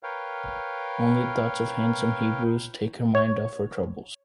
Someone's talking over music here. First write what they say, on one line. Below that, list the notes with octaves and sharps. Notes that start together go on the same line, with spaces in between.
Only thoughts of handsome Hebrus take her mind off her troubles.
A#4 B4 C#5 F5 G5
C#5